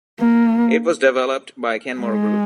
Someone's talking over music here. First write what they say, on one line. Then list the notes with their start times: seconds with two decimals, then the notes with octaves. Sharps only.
It was developed by Kenmore Group.
0.20 A#3
2.01 G#3